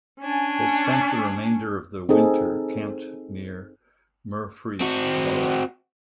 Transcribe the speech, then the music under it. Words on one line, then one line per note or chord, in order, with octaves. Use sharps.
They spent the remainder of the Winter camped near Murfreesboro.
C#4 D4 G#5
C4 D#4 G#4 A4
C4 F#4